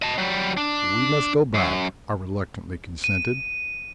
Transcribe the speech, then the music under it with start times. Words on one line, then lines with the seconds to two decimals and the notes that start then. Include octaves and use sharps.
"We must go back," I reluctantly consented.
0.02 D#5 A5
0.18 F#3 G3
0.57 D4
1.54 F#2
3.04 D#7